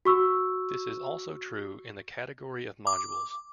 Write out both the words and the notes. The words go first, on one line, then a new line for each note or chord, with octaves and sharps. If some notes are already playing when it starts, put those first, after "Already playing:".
This is also true in the category of modules.
F#4 C#6 E6
D6